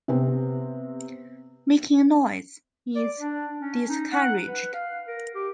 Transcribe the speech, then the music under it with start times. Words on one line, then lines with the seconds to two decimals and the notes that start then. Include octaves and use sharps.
Making noise is discouraged.
0.08 C3 B3 C4
2.95 D5
3.19 D4
3.61 C#4
3.89 D#4
4.13 F#5
4.47 B4
4.73 F5
5.07 A#4
5.35 G4